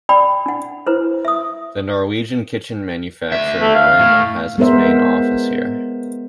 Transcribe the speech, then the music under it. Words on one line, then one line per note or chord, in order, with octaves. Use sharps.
The Norwegian kitchen manufacturer Norema has its main office here.
D5 G5 B5
D4 F#5
E4 B4 C5
E5 D#6
D2 E5
A3
F5
A2
G#3 B3 A#4 C5 E5